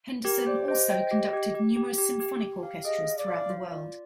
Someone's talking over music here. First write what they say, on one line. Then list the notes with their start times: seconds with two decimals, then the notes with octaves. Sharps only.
Henderson also conducted numerous symphonic orchestras throughout the world.
0.25 G4 A#4
0.46 C5 D5
0.68 C5 D#5
0.90 G5
1.11 G4
1.33 G4
1.55 G4
1.77 G4
1.98 G4
2.20 G4
2.42 G4
2.63 F5
2.84 G#4 D#5
3.06 F5
3.18 D5
3.28 F5
3.50 F4
3.72 D5